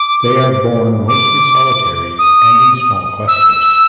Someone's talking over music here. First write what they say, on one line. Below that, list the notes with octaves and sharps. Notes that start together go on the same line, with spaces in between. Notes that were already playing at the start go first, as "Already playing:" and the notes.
They are borne mostly solitary and in small clusters.
Already playing: D6
D6
D#6
E6